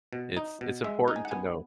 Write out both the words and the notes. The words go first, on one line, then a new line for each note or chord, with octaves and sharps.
it's, it's important to know.
B2
D#4
B2
G#3 E5
D#4
G#5
F#5
B3 G#5